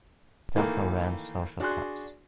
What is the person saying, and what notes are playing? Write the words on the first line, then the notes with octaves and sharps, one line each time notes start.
Templer ran social clubs.
D#3 E3 A3 A#3
D4 F#4 G#4 C6 F#6